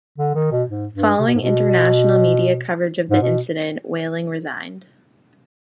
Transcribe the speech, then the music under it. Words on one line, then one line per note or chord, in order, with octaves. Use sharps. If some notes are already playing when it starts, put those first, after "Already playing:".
Following international media coverage of the incident, Whaling resigned.
D3
D#3
B2
G#2
G2
C3
B2
G#2
B2
G#2
B2